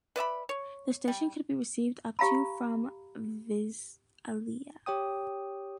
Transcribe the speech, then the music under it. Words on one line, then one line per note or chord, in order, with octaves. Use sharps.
The station could be received up to from Visalia.
B4 D5 E5 B5
C#5
G3
G4 F5 A#5 B5
G4 C#5 G5 D#6